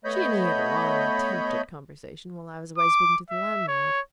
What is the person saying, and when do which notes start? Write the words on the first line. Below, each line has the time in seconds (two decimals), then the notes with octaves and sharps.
'She and he had a long attempt at conversation, while I was away speaking to the landlord.'
0.05 A3 B3 C#5 D#5 B5 G6
2.78 D6
3.30 E5
3.68 C#5